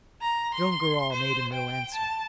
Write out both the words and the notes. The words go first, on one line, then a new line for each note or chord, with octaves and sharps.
Joam Garral made him no answer.
A#5
C6
C5
G5
A5